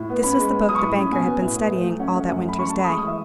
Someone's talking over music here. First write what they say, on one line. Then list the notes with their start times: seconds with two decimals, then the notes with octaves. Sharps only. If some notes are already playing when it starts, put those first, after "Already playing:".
This was the book the banker had been studying all that winter's day.
Already playing: A2
0.09 B3
0.23 C#4 B5
0.38 G#3
0.53 B3
0.67 F#3 D#6
0.75 C#6
0.82 A2 B5
0.97 C#4
1.12 B2 G#5
1.26 B3
1.41 A2
1.56 B3
1.70 A3
1.85 F#3
1.99 C#4 F#5
2.15 A3 F#5
2.29 F#2 F#5
2.45 F#3 B5
2.59 C#4 C#6
2.69 A5
2.74 A3
2.79 B5
2.84 D#6
2.88 G#3 C#6
2.98 D#6
3.03 E3 E5